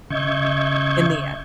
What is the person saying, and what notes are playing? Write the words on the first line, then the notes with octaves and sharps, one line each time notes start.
in the end.
C#3 D#5 E5 C#6 G6 G#6